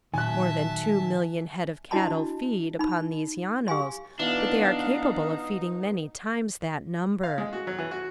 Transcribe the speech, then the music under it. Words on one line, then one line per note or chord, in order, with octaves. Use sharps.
More than two million head of cattle feed, upon these llanos, but they are capable of feeding many times that number.
A#2 D#3 F#3 E5 G#5 A5 F#6
D4 E4 F#4 D#5 A5 B5
D#4 B5
G4 F5 G#5 C6
B2 E3 B3 D4 D#4 F5 F#5
F5
G#3
F#4
F#3
E3
F#4